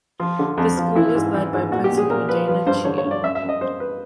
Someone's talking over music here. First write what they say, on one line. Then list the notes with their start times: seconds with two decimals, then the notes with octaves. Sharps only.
The school is led by Principal Dayna Chia.
0.20 F3 F4
0.39 D3
0.58 F2
0.77 F3
0.96 E3 E4
1.15 G#2
1.34 E3
1.53 G#2
1.71 A#2 F#4
1.84 G4
1.90 A#2
1.97 G#4
2.09 A#2 A#4
2.29 F3 B4
2.48 F3 B4
2.66 G2 C5
2.85 D3 C#5
2.98 C#5
3.05 G2
3.11 D5
3.23 F#2 E5
3.35 E5
3.43 F#2
3.49 D#5
3.61 F#2 C5
3.80 B4